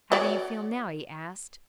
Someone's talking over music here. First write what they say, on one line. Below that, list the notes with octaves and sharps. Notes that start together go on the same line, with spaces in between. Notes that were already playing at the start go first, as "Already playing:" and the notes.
"How do you feel now?" he asked.
F#4 C#5 D5